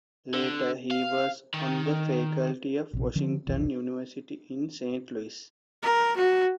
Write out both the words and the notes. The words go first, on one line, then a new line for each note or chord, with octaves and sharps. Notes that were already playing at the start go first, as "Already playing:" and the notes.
Later he was on the faculty of Washington University in Saint Louis.
D3
F5
D#3
A#1 C3
D3 F3 C#4
F1 B1 E3
A#4
F#4